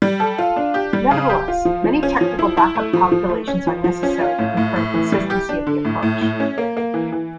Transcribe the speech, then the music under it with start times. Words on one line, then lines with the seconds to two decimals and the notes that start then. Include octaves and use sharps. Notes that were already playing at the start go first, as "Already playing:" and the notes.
Nevertheless, many technical back up calculations are necessary to confirm consistency of the approach.
0.02 G3
0.20 A4
0.38 F4
0.56 D4
0.74 G4
0.93 G3
1.11 C#3
1.29 G4
1.48 F4
1.65 F3
1.84 F3
2.03 C#4
2.21 F3
2.39 E4
2.57 E4
2.75 A3
2.93 F3
3.12 F3
3.30 A3
3.48 C#4
3.67 F3
3.84 F3
4.03 C#4
4.21 F4
4.39 A2
4.57 A2
4.76 A2
4.94 E3
5.12 G3
5.30 G4
5.49 D4
5.67 D3
5.85 A2
6.03 A2
6.21 A2
6.40 C#4
6.58 A#3
6.77 A#3
6.94 E3
7.12 E3